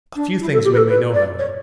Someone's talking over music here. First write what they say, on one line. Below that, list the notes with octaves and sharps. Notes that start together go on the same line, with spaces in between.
A few things we may know, however.
D4
E4
A4
G4
B4
A4
B4
D5
C#5